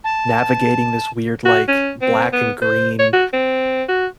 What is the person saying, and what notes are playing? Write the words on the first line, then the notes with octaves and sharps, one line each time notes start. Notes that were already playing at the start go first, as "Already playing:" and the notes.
navigating this weird, like, black and green
A5
F#4
C#4
C4
B3
C5
C#5
F#4
C4
F#4